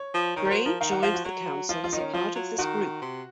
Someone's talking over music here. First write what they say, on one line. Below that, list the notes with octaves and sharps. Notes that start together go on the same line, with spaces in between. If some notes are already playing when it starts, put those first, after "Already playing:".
Grey joined the Council as a part of this group.
Already playing: C#5
F3
D#3 C#5
A#4
F#3 C5
F3 A#4
D#3 F5
F#5
F3 F5
F#4
F#3
F3 F4
F4
D#3 D#4
C#4
F3 F4
F#3
D#3 F#4
C3